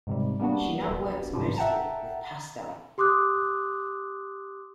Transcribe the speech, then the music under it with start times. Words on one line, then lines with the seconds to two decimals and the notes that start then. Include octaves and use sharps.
She now works mostly with pastel.
0.07 G#2 C3 G3
0.40 G3 A#3 B3 D4 F#4
1.33 G#2 C3 F3 G3
1.57 E5 F#5 G5 A5 A#5
2.98 G4 C6 D6 D#6 F#6